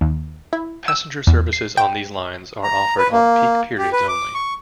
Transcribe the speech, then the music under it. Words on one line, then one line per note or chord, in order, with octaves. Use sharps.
Passenger services on these lines are offered on peak periods only.
D#2
E4
E6
E2
C7
G5
A#5
B4
A#3
G4
B4
D6
C#6